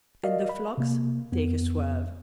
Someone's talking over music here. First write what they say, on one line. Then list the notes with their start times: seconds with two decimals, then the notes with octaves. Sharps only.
And the flocks take a swerve.
0.23 F#4 A#4 D5 D#5 F5
0.49 B5
0.77 C3 A#3
1.32 F2 B3